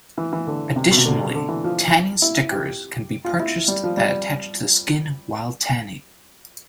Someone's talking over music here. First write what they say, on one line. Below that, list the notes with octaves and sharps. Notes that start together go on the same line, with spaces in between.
Additionally, "tanning stickers" can be purchased that attach to the skin while tanning.
E3
E3
D3
C3
B2
C3
D3
D3
E3
F3
E4
G4
F4
E4
G3
F3
G3